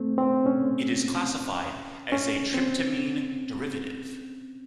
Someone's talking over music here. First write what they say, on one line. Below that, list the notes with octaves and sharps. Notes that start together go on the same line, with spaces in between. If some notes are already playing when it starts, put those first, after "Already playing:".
It is classified as a tryptamine derivative.
Already playing: A3 C4
C4
C#4
C#4
C4